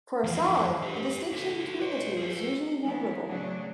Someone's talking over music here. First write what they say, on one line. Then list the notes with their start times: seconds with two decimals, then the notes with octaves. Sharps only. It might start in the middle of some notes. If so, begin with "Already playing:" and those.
For a solid, the distinction between the two is usually negligible.
0.24 E2 F3
0.83 G4 B4
1.32 F#4 A4
1.80 B4 C#5
2.17 G#4 B4
2.84 D#3 G#3 B3 C4 E4
3.25 A2 C#3 F#3 D4 G#4